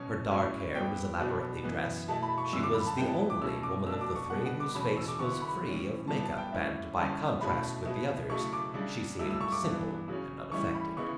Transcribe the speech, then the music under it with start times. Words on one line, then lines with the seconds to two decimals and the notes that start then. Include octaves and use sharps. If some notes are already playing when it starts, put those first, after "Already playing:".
Her dark hair was elaborately dressed. She was the only woman of the three whose face was free of make-up, and by contrast with the others she seemed simple and unaffected.
Already playing: B2 F#3 C#4
0.31 A2 F#3 C#4 E4
0.75 G2 F#3 B3 G5
1.19 B2 F#3 B3 D4
1.64 F#2 E3 B3
2.08 B2 A3 E4 A5
2.23 B5
2.38 C#6
2.53 F#2 D3 G3 D4 E6
2.63 D6
2.74 B5
2.86 A5
2.97 A2 F#3 B3 E4 G5
3.08 A5
3.30 D6
3.42 B2 F#3 A3 C#4 E6
3.63 D6
3.86 B2 A3 D4 E6
4.01 D6
4.15 C#6
4.30 B2 G3 B3 D4 F#5
4.46 F#5
4.60 D6
4.75 E2 B2 A3 C#4 B5
4.85 C#6
4.97 E6
5.08 D6
5.19 D3 F#3 B3 E4 C#6
5.42 B5
5.63 A2 E3 G3 C#4
6.08 G2 F#3 B3 E4 A5
6.23 A5
6.38 G5
6.52 A2 G3 C#4 E4 E5
6.97 D3 G3 C#4 E4 A5
7.41 B2 A3 C#4 E4 B5
7.85 B2 F#3 B3 E4
8.29 C#3 F#3 A3 E4 C#6
8.53 D6
8.74 C#3 G3 D4
9.19 G2 F#3 A3 E4 E6
9.31 E6
9.41 C#6
9.52 D6
9.63 G2 E3 B3 D4
10.08 C#3 F#3 C#4
10.52 A2 E3 G3 C#4 E4 C#6
10.75 B5
10.97 C#3 E3 B3 E4 C#6